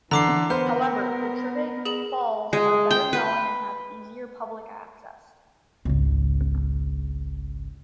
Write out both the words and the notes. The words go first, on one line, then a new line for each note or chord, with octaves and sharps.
However, the Triberg Falls are better known and have easier public access.
D3 E3 A#5 D6 C7
B3 A#4 C5 F6
G#4 E7 F#7
G#3
G5
B4
G#1 C#2